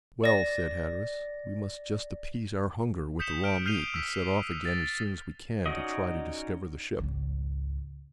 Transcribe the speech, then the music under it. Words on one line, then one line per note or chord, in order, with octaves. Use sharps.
"Well," said Hatteras, "we must just appease our hunger with the raw meat, and set off again as soon as we can, to try to discover the ship."
D5 A#6
D#6 G6 B6 C#7 E7 G7
F6 D7
F6 G6 C7 D#7 F7 G7
E6 B6
A6
C#4 D#4 F#4 D5 D#5
G#1 C#2